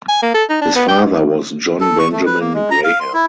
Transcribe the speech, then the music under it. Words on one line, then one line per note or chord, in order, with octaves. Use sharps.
His father was John Benjamin Graham.
G#5
A#3
A4
D#4
D4
B3
G5
A4
C#6
A3
B4
A#3
G#3
A#5
F5
C6
E4